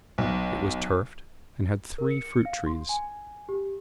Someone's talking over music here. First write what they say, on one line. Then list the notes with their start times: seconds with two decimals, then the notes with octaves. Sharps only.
It was turfed, and had three fruit-trees.
0.18 B1
1.98 A#4
2.11 C#7
2.45 F5
2.66 C6
2.89 G#5
3.49 G4